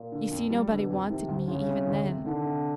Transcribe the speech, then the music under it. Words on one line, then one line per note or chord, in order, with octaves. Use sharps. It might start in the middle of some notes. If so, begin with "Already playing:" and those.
You see, nobody wanted me even then.
Already playing: A#2
D3
F2
G3
B2 D3
F2
C3 D#3
D2
D2 C#3
C3
D2
C3
D3 D#3
C3